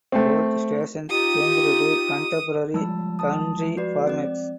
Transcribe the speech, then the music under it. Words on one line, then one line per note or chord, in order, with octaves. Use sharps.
Both stations changed to contemporary country formats.
A3 C4
D#4 F4 G4 D#6
F3 G3 G#3 A5 E6
A5 D#6
F#4 B4 D5
C4 D5